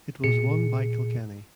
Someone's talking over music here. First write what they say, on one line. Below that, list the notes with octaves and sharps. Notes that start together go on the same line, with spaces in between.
It was won by Kilkenny.
A#2 G#4 C#7